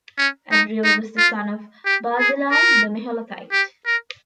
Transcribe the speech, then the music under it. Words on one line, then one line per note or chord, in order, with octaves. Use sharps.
Adriel was the son of Barzillai, the Meholathite.
C#4
D#4
D#4
F4
G4
G#4
A#4
G4
A#4